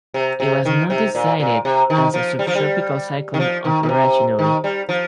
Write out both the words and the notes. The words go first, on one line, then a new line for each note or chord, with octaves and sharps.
It was not designated as a subtropical cyclone operationally.
C3
C3
D#3
C3
A#2
A#2
C3
D#3
F3
G3
F3
G3
D#3
F3
D#3
D#3
C3
D#3
G3
F3